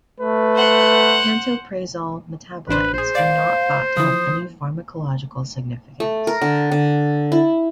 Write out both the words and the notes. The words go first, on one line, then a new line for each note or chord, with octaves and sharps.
Pantoprazole metabolites are not thought to have any pharmacological significance.
A3 B4
C5 F#5
A1 D4 B4 C5
A#1 G#4 C5
D5 F5
E3 F3 D#6
A3
A#4
D3
D3
E4